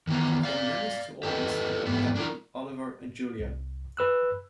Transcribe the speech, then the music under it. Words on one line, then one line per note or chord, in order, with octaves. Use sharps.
From youngest to oldest, they are Peppi, Oliver and Julia.
D#3 E3 B3 A#5
D5 F5
G4 A4 B4 D#5
G#2 B2 E3 G3 A3 B3
D4 G#4 A#4
C2
B4 E6 F#6